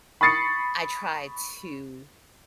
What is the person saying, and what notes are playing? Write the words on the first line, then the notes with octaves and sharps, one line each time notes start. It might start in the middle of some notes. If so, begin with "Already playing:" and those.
I try to
B5 C#6 D#6 A6 C7 C#7